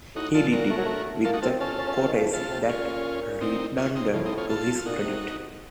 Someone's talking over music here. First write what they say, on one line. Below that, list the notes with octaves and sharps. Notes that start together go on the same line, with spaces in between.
He did it with a courtesy that redounded to his credit.
A2 D#4 F#4
A#2 F4 A4
A#2 F#4 A#4
A3
F#3
A3
A#3 F4 A4
D#4 F#4
C4 F4 A4
C#4 F4 A4
C#4
C#4
C4
D#3
F3
C#3 F4 A4
C3
A#2 C#4 F4
C4 D#4
C#4 F4
C4 D#4
A2 C#3 F3
C4 D#4
C#4 F4
F4 A4
F4
A#2 D#4 F#4
C3